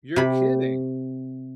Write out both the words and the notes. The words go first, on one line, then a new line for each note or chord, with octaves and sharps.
You're kidding!
C3 B5